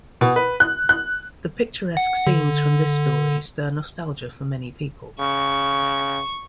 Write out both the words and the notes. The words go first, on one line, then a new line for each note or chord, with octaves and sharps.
The picturesque scenes from this story stir nostalgia for many people.
B2
B4
F#6
F#6
F#5
D3
C#3 C#6